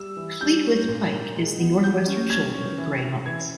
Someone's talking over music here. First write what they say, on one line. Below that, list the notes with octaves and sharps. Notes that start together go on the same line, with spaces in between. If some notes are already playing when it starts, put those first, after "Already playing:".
Fleetwith Pike is the north-western shoulder of Grey Knotts.
Already playing: G3 E6
E3
G3 G6
C#4
A#2
A#2
G#3
B3
G3 G6
C#4
C#4 G#6
C#4
E3
C#3
E3 G#6